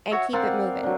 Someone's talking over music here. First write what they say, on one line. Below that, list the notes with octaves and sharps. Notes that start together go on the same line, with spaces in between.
and keep it moving."
F#4 C#5 E5
C4 A#4 B4 D5 F5 F#5
D3 F#3